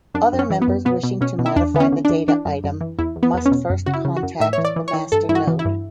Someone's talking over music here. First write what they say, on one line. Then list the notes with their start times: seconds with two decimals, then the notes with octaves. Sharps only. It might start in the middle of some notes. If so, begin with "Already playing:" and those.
Other members wishing to modify the data item must first contact the master node.
0.14 F#2 D4
0.33 F#2
0.39 C#4
0.50 E3
0.62 B3
0.68 F#2
0.85 B2 B3
1.03 B2
1.21 B2 C#4
1.39 B2
1.46 E4
1.56 E2 D4
1.74 D3 B3
1.80 C#4
1.92 D3
2.05 E2 D4
2.28 E3 D4
2.45 F#2
2.64 F#2
2.81 E3
2.98 E2 E4
3.16 E2
3.23 B3
3.34 E2 B3
3.46 C#4
3.52 B2
3.70 F#2
3.86 C#3 F#4
3.93 E4
4.05 C#3
4.17 F#4
4.23 F#2
4.40 A2 E5
4.53 E3 C#5
4.65 D5
4.76 E3
4.88 C#5
4.93 E3
5.12 G2 A4
5.29 G2 E4
5.35 F#4
5.47 E3
5.59 E4
5.65 G2